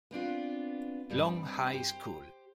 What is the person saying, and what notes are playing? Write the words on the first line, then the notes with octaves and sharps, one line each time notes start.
Long High School.
B3 C4 D4 F4
G2 G3 C4
G4 C5